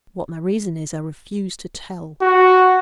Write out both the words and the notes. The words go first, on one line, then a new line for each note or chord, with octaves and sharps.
What my reason is, I refuse to tell.
F#4